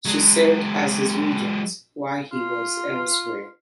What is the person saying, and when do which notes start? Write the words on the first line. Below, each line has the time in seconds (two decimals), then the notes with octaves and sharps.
She served as his regent while he was elsewhere.
0.05 F#3 G#3
2.32 F4